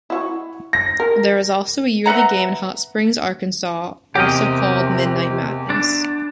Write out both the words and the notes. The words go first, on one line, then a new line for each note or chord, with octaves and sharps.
There is also a yearly game in Hot Springs, Arkansas also called Midnight Madness.
E4 F#4
A#6
A#4
B4 E5 F#5 A#5
E2 C3 G4 A#4 D#5 F6
D4